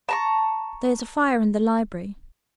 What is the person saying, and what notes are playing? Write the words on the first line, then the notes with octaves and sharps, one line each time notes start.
There is a fire in the library.
A5 A#5 C#6